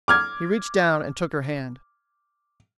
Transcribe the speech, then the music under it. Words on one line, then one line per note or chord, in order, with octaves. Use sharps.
He reached down and took her hand.
D6 F6 G#6